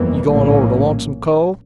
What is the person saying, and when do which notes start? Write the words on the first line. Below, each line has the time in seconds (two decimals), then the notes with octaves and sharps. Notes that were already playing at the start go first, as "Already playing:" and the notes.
"You goin' over to Lonesome Cove?"
Already playing: G1 F2 E3 A#3
0.27 A#1 A2 G3 A#3 C#4